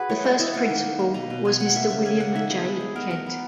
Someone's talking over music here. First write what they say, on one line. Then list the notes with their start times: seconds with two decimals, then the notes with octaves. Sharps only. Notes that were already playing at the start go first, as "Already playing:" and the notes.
The first principal was Mr. William J. Kent.
Already playing: F#4 G#4 B4
0.09 E3 C#5
0.24 A#3 D#5
0.39 E3 E5
0.54 A#3 F#5
0.70 D#3
0.84 D#3
1.00 A#3
1.14 B2 A#5
1.30 B2
1.45 B2 G#5
1.59 B3 F#5
1.75 A#3 E5
1.90 C#3 E5
2.05 A#3 G#5
2.20 C#3 F#5
2.35 D#3 E5
2.50 B3 G#4
2.65 G#3
2.80 G#3
2.95 B3 A#4
3.11 B3 A#4
3.26 B3